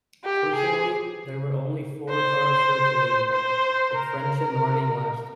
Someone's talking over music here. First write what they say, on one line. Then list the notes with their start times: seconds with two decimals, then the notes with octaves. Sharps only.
Fortunately there were only four cars circulating, with Frentzen running last.
0.25 G4
0.55 G#4
2.10 C5
3.33 C5
3.94 A#4